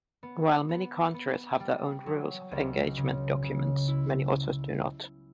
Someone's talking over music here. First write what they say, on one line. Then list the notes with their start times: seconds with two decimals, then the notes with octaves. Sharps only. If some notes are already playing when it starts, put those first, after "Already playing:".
While many countries have their own rules of engagement documents, many others do not.
0.23 B3
0.69 B3
1.14 B3
1.60 G3
2.06 F#3
2.51 C#2
2.97 C#3
3.43 C#3
3.88 E4